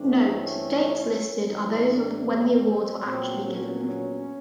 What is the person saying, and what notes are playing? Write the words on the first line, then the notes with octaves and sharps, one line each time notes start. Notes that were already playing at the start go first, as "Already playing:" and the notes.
Note: Dates listed are those of when the awards were actually given.
Already playing: G2 E3 A3 C4 D4
C#4
A2 E3 G3 C4 D#4
D4
C4
A#1 A#2 F#3 B3 C4
C#4
C#4